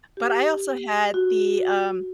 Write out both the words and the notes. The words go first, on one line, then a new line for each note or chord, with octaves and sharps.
but I also had the, um
G4
F#4